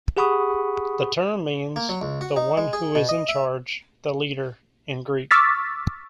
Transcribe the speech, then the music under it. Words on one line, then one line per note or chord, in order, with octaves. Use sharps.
The term means "the one who is in charge", "the leader" in Greek.
G4 G#4 F#5 B5 C#6 D#6
A#3
F#3
C#2
F#4
D#4
G#3
G#4
B2
D#5
E5
C#6 D6 E6 F6 A6 B6